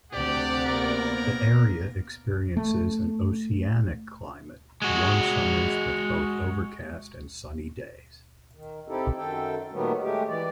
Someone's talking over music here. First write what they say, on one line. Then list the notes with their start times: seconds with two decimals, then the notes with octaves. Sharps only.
The area experiences an oceanic climate, warm summers with both overcast and sunny days.
0.13 D2 C3 G4 D5 F#5
0.66 A#3 B3 A#4
2.57 A3
4.82 G#3 F#4
8.55 D#3
8.88 C4 D#4 E4 G4 A4
9.17 F#2 D#3 A4 G5
9.72 A#2 D#3 F#3 G3 A3 B3
10.02 G#3 A3 G4
10.29 E3 D5